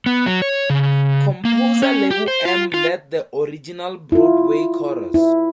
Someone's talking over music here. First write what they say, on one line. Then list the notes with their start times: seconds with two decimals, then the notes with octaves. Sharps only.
Composer Lebo M led the original Broadway chorus.
0.06 B3
0.26 F#3
0.42 C#5
0.70 C#3
1.45 A#3
1.82 C#4
2.11 G4
2.28 C5
2.45 F4
2.74 F4
4.12 E4 F4
5.14 E4